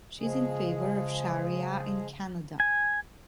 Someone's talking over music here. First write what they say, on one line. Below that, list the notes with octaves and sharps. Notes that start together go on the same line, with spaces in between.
She is in favor of Sharia in Canada.
C#3 F3 G#3 G#4
G#5